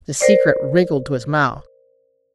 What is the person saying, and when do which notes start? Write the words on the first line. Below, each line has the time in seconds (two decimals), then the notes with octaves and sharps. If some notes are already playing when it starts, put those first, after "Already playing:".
The secret wriggled to his mouth.
0.21 A#4 C5 D5